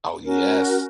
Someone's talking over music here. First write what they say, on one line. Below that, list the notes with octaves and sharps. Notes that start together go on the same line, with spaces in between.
Oh, yes.
C#4 F#4 A#4